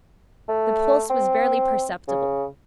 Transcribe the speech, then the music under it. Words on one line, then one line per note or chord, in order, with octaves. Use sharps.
The pulse was barely perceptible.
A3
C4
C#3